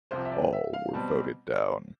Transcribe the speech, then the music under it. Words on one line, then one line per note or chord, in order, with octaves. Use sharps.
All were voted down.
C2 C3 F3 C5
E5
D5
E5
F5
B2 G3 C4 A5